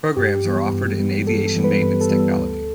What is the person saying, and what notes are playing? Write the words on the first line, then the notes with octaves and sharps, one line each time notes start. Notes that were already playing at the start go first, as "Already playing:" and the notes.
Programs are offered in Aviation maintenance technology.
G2 G4
E3 G3 B3
G2
E3 G3 B3
G2 A4
A4
E3 G3 B3
B4
G2 B4
A4
E3 G3 B3
A4
D2